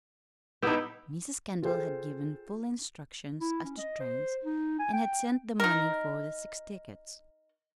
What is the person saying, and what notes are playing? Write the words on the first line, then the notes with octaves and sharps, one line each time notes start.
Mrs. Kendall had given full instructions as to trains, and had sent the money for the six tickets.
B3 D#4 E4 G4
F4 G#4 A4 C5 G5
E4
C#4
D#5
C5
D#4
G#5
G5
D#4 A#4